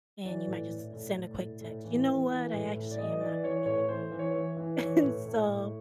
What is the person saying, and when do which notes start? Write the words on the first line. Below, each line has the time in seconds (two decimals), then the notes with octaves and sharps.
and you might just s send a quick text, "You know what? I actually am not gonna be able to make it." And so,
0.25 E3 D5
0.47 A2
0.70 A2
0.93 A2
1.16 A2
1.39 A2
1.61 A2
1.84 E3
2.07 E3
2.30 E3
2.53 A2
2.76 A2
2.91 D5
2.98 E3 D#5
3.20 E3 D5
3.43 E3 C#5
3.66 A2 C#5
3.89 E3 C5
4.12 E3
4.19 C#5
4.34 E3
4.57 E3
4.79 E3 C#5
5.03 A2
5.25 A2
5.48 A2